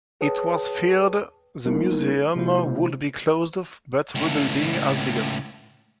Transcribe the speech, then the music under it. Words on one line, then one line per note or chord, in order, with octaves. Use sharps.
It was feared the museum would be closed but rebuilding has begun.
G#4 B4 C#5 G5 A5 D#6
G3 A#3 B3 D#4 E4 A#4
C3 G#3 A#3 E4 F#4 C5
C#2 A2